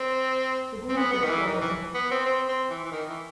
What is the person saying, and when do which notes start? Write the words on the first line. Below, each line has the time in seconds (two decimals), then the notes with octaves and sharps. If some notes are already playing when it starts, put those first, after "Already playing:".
The ruins are still visible.
Already playing: C4
0.89 C4
0.97 B3
1.13 B3
1.24 D#3
1.30 E3
1.46 D#3
1.61 E3
1.94 B3
2.11 C4
2.26 C4
2.49 C4
2.70 E3
2.85 E3
2.92 D#3
3.08 E3